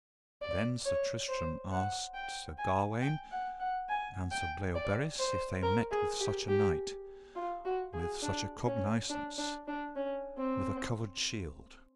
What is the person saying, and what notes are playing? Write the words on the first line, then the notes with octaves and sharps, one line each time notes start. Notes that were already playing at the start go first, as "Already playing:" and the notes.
Then Sir Tristram asked Sir Gawaine and Sir Bleoberis if they met with such a knight, with such a cognisance, with a covered shield.
D5
C#5
C5
F#5
G5
G#5
G5
F#5
F#5
G#5
G5
D5
C5
A#4
G#4
G4
G4
F4
F#4
G#4
D4
C#4
D4
D4
D4
C#4
C4